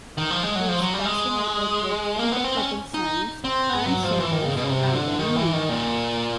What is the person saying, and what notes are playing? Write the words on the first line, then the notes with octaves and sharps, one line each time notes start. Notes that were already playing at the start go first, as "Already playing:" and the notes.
He is fascinated with interpreting signs and symbols, and their meaning.
D#3
F3
G#3
F#3
F3
F#3
G3
G#3
A#3
B3
C4
C#4
D#4
C4
B3
F#3
F3
E3
D#3
C#3
B2
C#3
C3
D3
D#3
E3
D#3
A#2